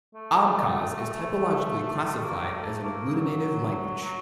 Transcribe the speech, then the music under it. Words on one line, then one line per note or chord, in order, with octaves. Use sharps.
Abkhaz is typologically classified as an agglutinative language.
A3
A#3
A3
A#3
F#3
F#3